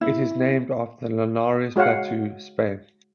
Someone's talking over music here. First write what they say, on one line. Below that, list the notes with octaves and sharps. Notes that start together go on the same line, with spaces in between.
It is named after the Linares Plateau, Spain.
E4
G#3 F#4 C#5 F5 F#5